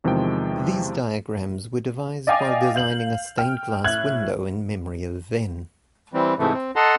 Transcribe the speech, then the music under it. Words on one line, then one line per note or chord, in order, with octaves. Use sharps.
These diagrams were devised while designing a stained-glass window in memory of Venn.
E2 C3 D#3 F3 G#3 G5
D5 D#5 F5 G5 G#5 D6
F5 G6 F#7
G5 F6
A2 F#6 G#6 F#7
E3 G3 C4
G#2 C3 E3 A3
C4
A4 D#5 F#5 A5 A#5 C6